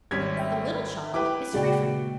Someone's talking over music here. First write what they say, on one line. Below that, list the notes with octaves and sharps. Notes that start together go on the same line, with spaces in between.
The little child is free from them.
G#1 G3 C#4 G#6 B6
E5 G5
E4 G4 B4 G5 D6
A#2 C#3 G#3 F#4 D5 G5